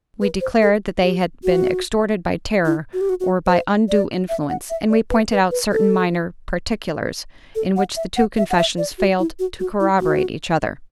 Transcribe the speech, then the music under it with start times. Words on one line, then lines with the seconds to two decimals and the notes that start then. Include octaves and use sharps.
We declared that they had been extorted by terror, or by undue influence; and we pointed out certain minor particulars in which the two confessions failed to corroborate each other.
0.21 B4
0.41 C5
0.62 A4
1.02 G4
1.44 F#4
2.65 E4
2.93 F#4
3.01 G4
3.09 F#4
3.20 F#4
3.47 C5
3.89 D5
4.29 E5
4.49 F#5
4.70 E5
4.90 D5
5.10 B4
5.31 B4
5.51 B4
5.72 A4
7.55 A4
7.76 F#5
7.96 E5
8.17 F#5
8.37 E5
8.50 F#5
8.57 E5
8.78 D5
8.98 F#4
9.19 E4
9.39 F#4
9.60 F#4
9.80 E4
10.00 F#4